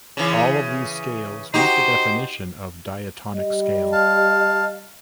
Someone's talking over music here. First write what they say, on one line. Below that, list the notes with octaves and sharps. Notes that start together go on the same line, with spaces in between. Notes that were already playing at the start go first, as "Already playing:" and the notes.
All these scales meet the definition of diatonic scale.
C#3 E3
D#4 F#4 G4 C5
G3 D#5
F5 A5